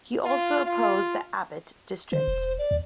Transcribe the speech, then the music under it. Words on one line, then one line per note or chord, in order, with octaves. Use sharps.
He also opposed the Abbott districts.
F4
F4
D3 C5
E1
D5
D#2